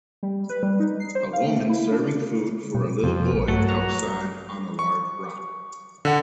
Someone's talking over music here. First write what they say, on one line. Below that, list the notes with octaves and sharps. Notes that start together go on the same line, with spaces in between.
A woman serving food for a little boy outside on a large rock.
G3
B4
G3
D#4
C7
C5
F5
A3
E4
D4
B2
F2 C3
A#1
G2 F#3 A3
A#5
C#6
D3 F#5